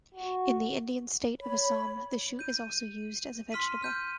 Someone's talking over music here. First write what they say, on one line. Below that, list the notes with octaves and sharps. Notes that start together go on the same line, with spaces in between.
In the Indian state of Assam, the shoot is also used as vegetable.
F#4
C#5 B5
G6 D#7
C6 F6 B6 D#7
F6 G6 D#7